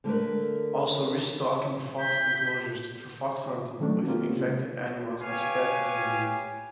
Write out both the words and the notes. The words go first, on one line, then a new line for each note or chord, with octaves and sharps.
Also, restocking fox enclosures for fox hunting with infected animals spreads the disease.
D3 A3 A#4 B4
G6 B6
D#3 F#3 A3 C#4 D4
G#3 A#3 C4 C#4 F4 G4
C3
G4 B4 C#5 F5 G#5